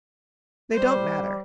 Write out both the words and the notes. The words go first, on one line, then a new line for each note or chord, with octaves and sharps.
They don't matter.
G3 C5